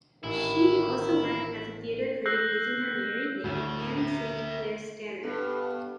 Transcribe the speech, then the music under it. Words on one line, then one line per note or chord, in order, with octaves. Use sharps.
She also worked as a theatre critic using her married name, Ann Saint Clair-Stannard.
A1 D#3 E4
E6 F#6 G6 A#6 C7
D2 A2
E5 A#5
G2 B3 A4